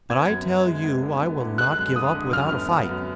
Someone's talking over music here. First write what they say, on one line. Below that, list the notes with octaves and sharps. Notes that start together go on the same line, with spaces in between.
But I tell you I will not give up without a fight.
B3 G#6
F#2
F#2
G#3
B3
D3
B3
D3
G#3 F#6
F#2
D3 D#6
D3
F#2 F6
B3
B3
F#2